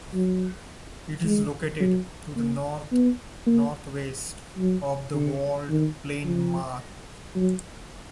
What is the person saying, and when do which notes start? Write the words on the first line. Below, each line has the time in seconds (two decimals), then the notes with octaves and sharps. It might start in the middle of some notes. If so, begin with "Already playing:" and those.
It is located to the north-northwest of the walled plain Mach.
0.14 F#3
1.25 G#3
1.81 F#3
2.36 A#3
2.93 B3
3.47 A#3
4.58 F#3
5.14 D3
5.70 D#3
6.25 F3
7.35 F#3